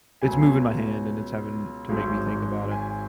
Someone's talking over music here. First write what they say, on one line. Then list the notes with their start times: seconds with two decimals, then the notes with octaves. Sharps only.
it's moving my hand, and it's having to make me think about it.
0.22 C#2 B2 F#3 G#5
1.88 G#1 G#2 F#3
2.71 G#5